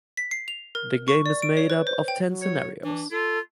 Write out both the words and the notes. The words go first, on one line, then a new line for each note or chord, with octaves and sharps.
The game is made up of ten scenarios.
B6
C7
F7
A#4
C#6
D5
D7
C#5
B4
C5
G5
F#3
C#5
E3 D4
F4 A4